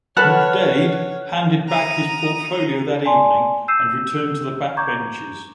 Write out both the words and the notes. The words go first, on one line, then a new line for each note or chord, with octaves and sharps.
McDaid handed back his portfolio that evening and returned to the backbenches.
A4 B4 C#5 F#5 A5 F6 F#6
A#5 D#6
D5 G#5 A5 C6
E6 G6 C7 D#7 E7
A#5 C#6 D6 G6 G#6